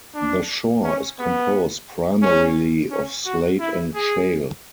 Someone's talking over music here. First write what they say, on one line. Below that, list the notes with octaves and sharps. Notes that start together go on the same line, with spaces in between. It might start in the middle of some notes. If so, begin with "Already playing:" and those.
The shore is composed primarily of slate and shale.
D4
C#4
B3
C#4
C#4
F#4
E4
G#4